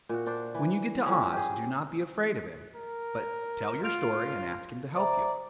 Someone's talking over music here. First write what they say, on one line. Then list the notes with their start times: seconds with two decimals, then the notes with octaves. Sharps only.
When you get to Oz do not be afraid of him, but tell your story and ask him to help you.
0.09 A#2 F#4
0.26 D4 C5 D5
0.54 E3
1.06 A2 F3 G3 C#4
1.32 G4 G#4
2.76 A#4
3.83 F4 F6 D7 F7
4.96 C5 D5 E5 A#5